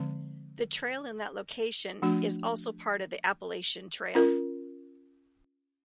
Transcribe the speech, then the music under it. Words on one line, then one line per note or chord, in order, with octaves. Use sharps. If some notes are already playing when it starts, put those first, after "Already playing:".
The trail in that location is also part of the Appalachian Trail.
Already playing: D3 F3 G#3 C4
F3 A3 D4 F#4
C#4 F4 A#4